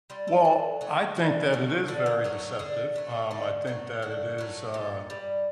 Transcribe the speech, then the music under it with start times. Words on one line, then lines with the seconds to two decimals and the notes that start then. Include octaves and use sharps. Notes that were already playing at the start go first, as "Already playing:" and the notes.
Well, I think that it is very deceptive. Um, I think that it is, uh,
0.10 G3 F4
0.27 A4
0.45 D3
0.81 F#3 A3
1.17 D3
1.53 F#3 A3
1.88 D3 A4
2.06 A#4
2.24 F#3 A3 G#4
2.59 D3 G#4
2.96 F#3 A3
3.31 D3 G4
3.67 F#3 A3
4.02 D3 F#4
4.38 F#3 A3
4.74 A#2
5.10 G3